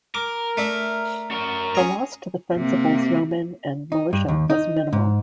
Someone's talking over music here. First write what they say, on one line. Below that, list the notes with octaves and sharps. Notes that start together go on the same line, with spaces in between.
The loss to the fencibles yeomen and militia was minimal.
A#4 D6
A3 D4 E5
F#4 A#4
C#4 G#4 A#5
C3 A#3
D#4
G2
D#2
D#4
G#2